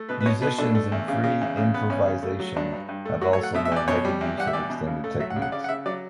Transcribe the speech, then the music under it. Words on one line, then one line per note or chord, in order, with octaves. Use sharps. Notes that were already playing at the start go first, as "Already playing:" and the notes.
Musicians in free improvisation have also made heavy use of extended techniques.
Already playing: A3
B2 B4
B4
B2 C#5
B2 B4
A3 D4
A3
E2
C#3
C#3
E2
C#3
B3
E2 C#4
C#3
A3
F#3
G2 D4
G2
G2
A3
F#3 F#4
C#5
A3 F#5
B2 E5
E5
E2 D5
B2 C#5
G3
E2
G3 F#5
E5
E2 D5
B2
C#3
A3
F#3 E5
F#5
C#3
F#5
C#3 D5
F#5
C#3 E5
F#3 D5